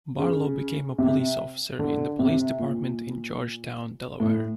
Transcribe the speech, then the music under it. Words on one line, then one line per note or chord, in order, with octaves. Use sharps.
Barlow became a police officer in the police department in Georgetown, Delaware.
C#3
C3
D3
C3
A#2
A2